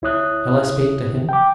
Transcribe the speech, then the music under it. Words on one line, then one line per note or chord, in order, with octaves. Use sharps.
Shall I speak to him?
D2 E4 C#5 D#6 F#6
G5 D6